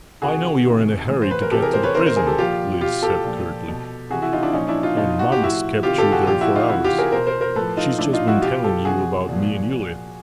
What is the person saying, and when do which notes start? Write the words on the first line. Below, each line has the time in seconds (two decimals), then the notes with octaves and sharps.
"I know you are in a hurry to get to the prison," Lise said curtly, "and mamma's kept you there for hours; she's just been telling you about me and Yulia."
0.22 C3 D#3 F#4 G#4
0.65 C3 D#3
1.09 A2 E3
1.22 C5
1.31 B4
1.42 A#4
1.51 C3 E3 G4 A4
1.62 G#4 A#4
1.73 A#4 C5
1.84 B4 C#5
1.94 C3 D#3 A#4 C5
2.06 A#4 C5
2.16 G#4 A#4
2.27 G4 A4
2.38 A#2 F3 F4 G4
2.81 B2 F4 G4
3.02 G4 A4
3.24 A#2 F3
3.68 B2
4.10 C3 F#4 G#4
4.14 E3
4.22 E4 F#4
4.33 D#4 F4
4.43 D4 E4
4.53 A#2 F3 C#4 D#4
4.68 D4 E4
4.83 D#4 F4
4.97 B2 D#4 F4
5.19 F#4
5.32 G4
5.40 A2 F3 E4 F#4
5.83 C3 D#3 F4 G4
5.98 G4 A4
6.12 F#4 G#4
6.26 A#2 F3 F4 G4
6.41 E4 F#4
6.56 D#4 F4
6.69 C3 E3 E4 F#4
6.84 F4 G4
6.98 G#4 A#4
7.12 B2 A#4 C5
7.27 A#4 C5
7.41 A#4 C5
7.56 A2 F3 A4 B4
7.77 D#4 F4
7.99 A2 F3 D4 E4
8.13 D#4 F4
8.27 E4 F#4
8.42 B2 F4 G4
8.63 G4 A4
8.85 C3 F3 F#4 G#4
9.29 A#2 F3